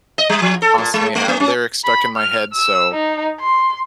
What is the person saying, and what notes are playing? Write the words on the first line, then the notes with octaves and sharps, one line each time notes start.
constantly have lyrics stuck in my head, so,
D#5
G3
F3
A4
A#2
G#3
A3
A#3
C#4
B5
F6
E6
D#4
C6